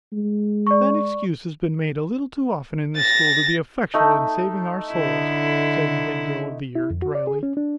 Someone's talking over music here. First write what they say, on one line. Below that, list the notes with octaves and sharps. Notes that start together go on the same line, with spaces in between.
"That excuse has been made a little too often in this school to be effectual in saving our souls," said the head girl of the year, drily.
G#3
D5 C#6
A6 A#6
A3 D#4
D3 E4
E4
F2
F#4
D5
G#4
C#4
D4